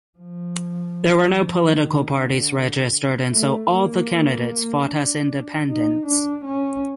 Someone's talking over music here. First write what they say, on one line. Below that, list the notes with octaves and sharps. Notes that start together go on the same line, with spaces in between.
There were no political parties registered and so all the candidates fought as Independents.
F3
F3
D#3
D3
A3
A#3
D4
D#4
D4
C#4